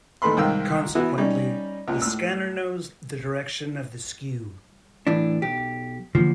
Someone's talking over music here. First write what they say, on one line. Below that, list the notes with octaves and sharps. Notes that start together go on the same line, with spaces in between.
Consequently, the scanner knows the direction of the skew.
D#2 A2 A4 B4 B5 C6
C2 G#2 D#3 F5 G5 E6
E3 B3 E4 F#4
G3 C#4 D#4
C#2 A#2
A2 E6
A2 E3 D4
B1 G4
D3 E3 F3 A#3